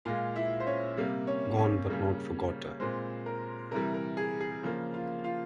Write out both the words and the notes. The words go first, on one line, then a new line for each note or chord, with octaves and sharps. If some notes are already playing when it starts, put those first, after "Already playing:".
Gone but not forgotte.
A#2 G#3 F4 F5
E4 E5
C5
C#4 C#5
C3 G3 A#3
C#4 C#5
C#4 C#5
C#3 G3 A#3
A#2 G#3 C4 C5
A#4
C3 E3 G3 A#4
A#4
G#4
G#4
C#3 F3 A#3
F4 F5
F4 F5